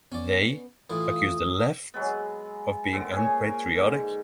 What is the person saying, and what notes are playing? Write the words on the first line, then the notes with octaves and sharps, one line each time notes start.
They accused the Left of being unpatriotic.
B3 C#4 D5
A2 E3 F4 D#6
F#3 G#3 B3
A#2 D3 C4
G#4 C#5 G#5
A#4
G#2 D3